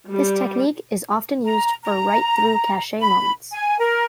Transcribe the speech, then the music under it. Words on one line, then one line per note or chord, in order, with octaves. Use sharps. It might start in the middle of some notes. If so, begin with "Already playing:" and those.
This technique is often used for write-through cache memories.
G3
A#5
A#5
B5
G#5
A#4